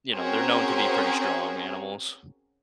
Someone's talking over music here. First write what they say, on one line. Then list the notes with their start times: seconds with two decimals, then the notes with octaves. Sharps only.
you know, they're known to be pretty strong animals.
0.13 C4 C#4 F#4 G#4 A#4